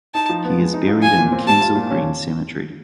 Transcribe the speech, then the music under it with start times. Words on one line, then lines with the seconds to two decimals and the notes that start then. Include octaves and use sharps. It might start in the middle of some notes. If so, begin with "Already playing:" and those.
He is buried in Kensal Green Cemetery.
0.14 D#4 A5
0.29 F3
0.44 B3
0.59 G#3
0.74 D#4
0.88 F3
1.02 F4 G#5
1.18 A#2
1.32 C4
1.46 G3 A5
1.61 F4
1.75 A#2
1.90 C#4